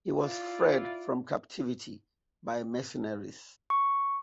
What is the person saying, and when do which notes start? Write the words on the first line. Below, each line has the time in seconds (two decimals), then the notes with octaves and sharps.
He was freed from captivity by mercenaries.
0.16 E4 F4 D5
3.70 C#6